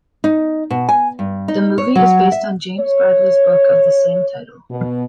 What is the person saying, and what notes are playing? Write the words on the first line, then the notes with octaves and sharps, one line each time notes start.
The movie is based on James Bradley's book of the same title.
D#4
B2
G#5
G2
D#4
C#5
F#3
E5
C#5
B2